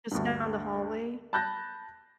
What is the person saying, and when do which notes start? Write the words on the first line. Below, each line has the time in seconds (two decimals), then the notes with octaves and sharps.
just down the hallway.
0.11 D2 G2
1.33 A5 B5 F#6 G6 A6 A#6